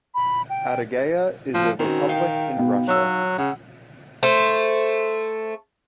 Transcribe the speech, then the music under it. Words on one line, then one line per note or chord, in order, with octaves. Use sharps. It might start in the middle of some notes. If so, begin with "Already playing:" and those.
Adygea is a republic in Russia.
B5
G5
A2 C#3 F3 A4
D#3 C4 C#4 F#4
D#4 F5 G5
B2 B3
F#3 C#5 E6
C#3 F#5
A3 C5